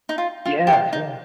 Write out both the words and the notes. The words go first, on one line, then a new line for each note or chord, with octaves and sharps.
Yeah, yeah.
D#4
F4
F4
G4
F4
D#4